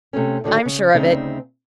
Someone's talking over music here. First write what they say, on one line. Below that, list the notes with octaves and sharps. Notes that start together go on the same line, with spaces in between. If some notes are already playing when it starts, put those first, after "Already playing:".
I'm sure of it.
C3 A3 C4 C#4
A2 D3 D#3 F#4
C#3
D2 C#3 C4 D#4 E5